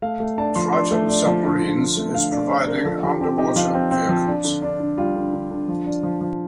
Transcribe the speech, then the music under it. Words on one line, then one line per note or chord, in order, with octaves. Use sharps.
Triton Submarines is providing underwater vehicles.
A3 F5
A3
D4 A5
F3 C6
D4 C6
A3
D4
F3
D3
D3
D3
A3
D3 F5
D3 D5
D3 C5
D3 A#4
F3 A4
F3 G4
C4 G4
D#4 G4
F3 F4
C4
C4
F3
D4
D3
D4
D3
G3 F4
D3
D3
D3
F3
D4
F3
F3